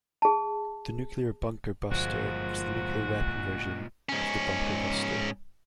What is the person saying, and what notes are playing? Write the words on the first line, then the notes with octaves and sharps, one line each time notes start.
The nuclear bunker buster is the nuclear weapon version of the bunker buster.
G#4 A5
G1 A#2 F3 G#3 F#4
G#2 C#4